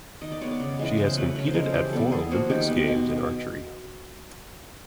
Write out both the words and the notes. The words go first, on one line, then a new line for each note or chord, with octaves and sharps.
She has competed at four Olympics Games in archery.
D#3 D#5
D5
G#3 B3 C#5
D5
C#3
E3 G#3
C#3 C5
F#3 A3 B4
C#3 A#4
C5
F3 G#3 A#4
A4
E3 G4
G3 B3 A4
D3 G#4
F3 A#3 F#4
D#3 G4
G#3 B3
B2